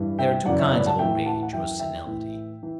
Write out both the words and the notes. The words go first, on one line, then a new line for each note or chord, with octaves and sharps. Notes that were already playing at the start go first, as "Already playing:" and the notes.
There are two kinds of old age or senility.
Already playing: G2 E3
E5 G5
F#2 C#3 E3 D5 F#5
C#5 E5
B4 D5
F#5 A5
A2 E3 E5 G5
F#5 A5
F#5
F#2 E3 E5 G5
E5 G5
A2 E3
E3